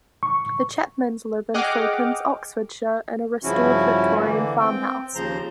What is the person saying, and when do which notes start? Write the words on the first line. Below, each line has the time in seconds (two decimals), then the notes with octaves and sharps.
The Chapmans live in Filkins, Oxfordshire, in a restored Victorian farmhouse.
0.23 C#6
1.54 G#4 D#5 F#5 G5 D6 F6
3.44 G2 C#3 F3 C#4 E4 F#4
4.19 D3 E3 A#3
4.59 C4 G5
5.15 D#2 C#3 F3 C5 A#5 C6